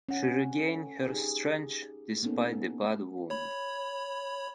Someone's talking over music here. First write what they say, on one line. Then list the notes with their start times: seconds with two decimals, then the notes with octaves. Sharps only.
She regained her strength despite the bad wound.
0.09 C#4 F#5
0.60 A4
1.07 D#4 G4 G#4
2.23 A#3 B3 C#4 D#4 A4
3.30 C#5 B5